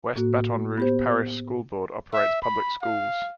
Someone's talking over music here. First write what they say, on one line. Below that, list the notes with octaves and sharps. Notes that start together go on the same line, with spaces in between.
West Baton Rouge Parish School Board operates public schools.
A2 A#3 F#4
B3 G4 C5
E5
B5
F5